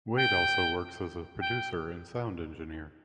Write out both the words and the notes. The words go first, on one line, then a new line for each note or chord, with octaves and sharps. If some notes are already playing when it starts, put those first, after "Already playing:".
Wead also works as a producer and sound engineer.
G5
G5